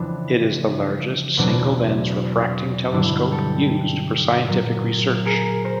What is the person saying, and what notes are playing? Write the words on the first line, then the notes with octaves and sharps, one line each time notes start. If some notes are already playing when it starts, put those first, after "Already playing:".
It is the largest single lens refracting telescope used for scientific research.
Already playing: F2 C#3 E3 C4 D4
E2 B2 F#3 C4 D4
G2 D3 F#3 D4 E4
G4 A4
A#2 F#3
G#4 A#4
A#4 C5